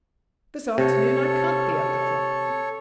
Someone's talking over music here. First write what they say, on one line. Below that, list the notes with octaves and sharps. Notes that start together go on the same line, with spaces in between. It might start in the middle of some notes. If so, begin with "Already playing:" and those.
This afternoon I count the other flock.
C3 A4 C#5